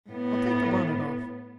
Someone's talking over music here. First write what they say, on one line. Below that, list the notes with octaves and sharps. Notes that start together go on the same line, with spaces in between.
"I'll take the bonnet off."
A2 B3